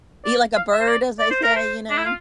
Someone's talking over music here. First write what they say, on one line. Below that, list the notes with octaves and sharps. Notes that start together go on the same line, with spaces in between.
Eat like a bird, as they say, you know?
D5
F5
E5
C5
D5
D5
C5
A#4
C5
D4
E4
F4